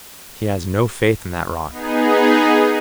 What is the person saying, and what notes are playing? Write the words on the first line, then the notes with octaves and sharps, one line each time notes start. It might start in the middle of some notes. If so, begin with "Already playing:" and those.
He has no faith in that rot.
B3 D#4 G#4